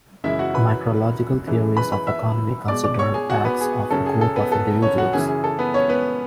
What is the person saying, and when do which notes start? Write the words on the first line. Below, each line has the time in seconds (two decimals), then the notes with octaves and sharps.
Micrological theories of economy consider acts of a group of individuals.
0.24 F#2 C#3 E3 G#3 E4 E5
0.39 F#4 F#5
0.54 B4 B5
1.46 F#2 E3 G#3
1.77 B4 B5
1.92 B4 B5
2.07 E5 E6
2.68 B2 G#3 D5 D6
2.84 D5 D6
2.99 C#5 C#6
3.14 G#4 G#5
3.30 F#4 F#5
3.45 B3 B4
3.61 G#4
3.91 F#2 C#3 F#3 A4
4.06 G#4
4.21 A4
4.36 B3 B4
4.52 A4
4.82 C#4 C#5
4.98 F#4 F#5
5.12 F#2 C#3 E3 G#4
5.28 G#4
5.44 A4
5.59 B3 B4
5.74 C#4 C#5
5.89 B3 B4